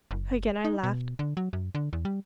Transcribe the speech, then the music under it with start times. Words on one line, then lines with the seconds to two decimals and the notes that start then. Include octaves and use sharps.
Again I laughed.
0.11 F#1
0.65 D#4
0.84 B2
1.19 D3
1.37 F#3
1.53 F#2
1.75 D3
1.93 E2
2.05 G3